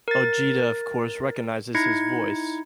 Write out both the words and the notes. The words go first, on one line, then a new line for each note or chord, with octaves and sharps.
Ojeda of course recognizes his voice.
A#4 A6
D#4 E4 G#6 C#7